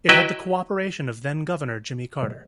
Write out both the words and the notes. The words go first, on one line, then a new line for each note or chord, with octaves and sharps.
It had the cooperation of then-Governor Jimmy Carter.
F#3 E4 B4 D#5 E5 G5